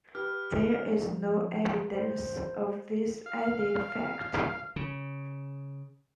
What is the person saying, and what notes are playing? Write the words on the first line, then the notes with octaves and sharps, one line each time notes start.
There is no evidence of this added fact.
G4 B4 F6
F3
C5
F5
C#3